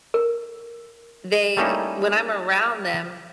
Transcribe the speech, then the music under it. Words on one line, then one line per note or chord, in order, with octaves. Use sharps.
they when I'm around them,
A#4
G3 A3 A#3 C#4 D#4 E4